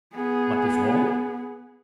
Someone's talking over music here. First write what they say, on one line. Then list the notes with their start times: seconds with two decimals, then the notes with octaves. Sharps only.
"But before--?"
0.15 B3 G#4